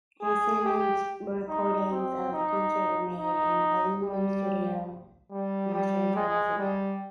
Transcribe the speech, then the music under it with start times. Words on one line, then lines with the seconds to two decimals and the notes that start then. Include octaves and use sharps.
Acetate recordings of the concert were made, and aluminum studio masters were also cut.
0.22 G#4
0.64 G4
1.49 D#4
1.91 C4
2.33 D#4
3.18 D#4
4.03 G3
5.31 G3
5.74 G3
6.16 G#3
6.58 G3